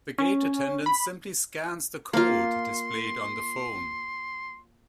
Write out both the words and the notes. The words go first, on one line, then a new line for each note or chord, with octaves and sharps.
The gate attendant simply scans the code displayed on the phone.
C#4
B5
A#3 F4 C6